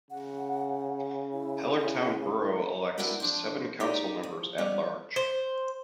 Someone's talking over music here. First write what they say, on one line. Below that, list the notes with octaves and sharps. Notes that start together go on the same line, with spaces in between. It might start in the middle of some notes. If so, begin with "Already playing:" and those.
Hellertown Borough elects seven council members at large.
C#3 F#5
E4
C4 D4 E4 F#4 A#4 B4
F3 D4 C5
D#4 G4 G#4 D5
F3
G3 B3 C#4
C5